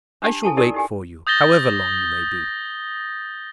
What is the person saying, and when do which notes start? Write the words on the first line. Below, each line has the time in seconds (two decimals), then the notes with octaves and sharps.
I shall wait for you, however long you may be.
0.22 D4 G4 A5
0.43 E4 A4 G#5 A5
0.57 D#4 E4 G4 A4 A#4 D5
0.74 D#4 G4 G#5
1.27 D#6 G6 A6 A#6 G7